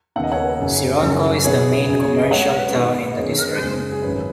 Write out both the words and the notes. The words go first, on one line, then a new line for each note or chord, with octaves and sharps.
Sironko is the main commercial town in the district.
D#2 C#3 B3 F#5
D#5
C#5 F#5
F#1 F#2 C#3 F#3
F#1 F#2 D#3 F#3
B1 B2 B3 G#4 C#5
F#2 C#3 F#3 C#4 G#4
G#4 C#5
B4 D#5
B1 B2 G#3 C#4 C#5 F#5
G#2 D#3 B3 B4 D#5
D#5
F#2 D#3 B3 G#4 C#5
F#1 F#2 C#3 G#3 G#4
G#4
G#1 F#2 F#3 C#4 B4